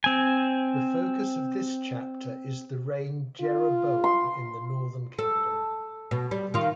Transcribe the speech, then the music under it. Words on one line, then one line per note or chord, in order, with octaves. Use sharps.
The focus of this chapter is the reign Jeroboam in the northern kingdom.
C4 G#5
F4
C6
A4
B2
G3
D#3 F4